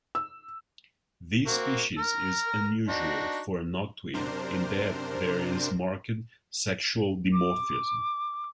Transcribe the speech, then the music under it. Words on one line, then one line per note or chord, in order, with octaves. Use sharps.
This species is unusual for a noctuid in that there is marked sexual dimorphism.
E6
A#3 C4 F#4
A#5 F6
D4 D#4 F#4
F#2 C3 D4 A#4 C5
D6